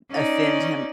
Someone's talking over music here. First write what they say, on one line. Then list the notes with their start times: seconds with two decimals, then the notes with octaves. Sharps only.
offend him,
0.11 C#4 D#4 D5